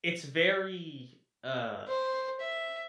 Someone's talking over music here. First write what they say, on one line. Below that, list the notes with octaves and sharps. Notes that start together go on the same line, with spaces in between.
It's very, uh,
C5
E5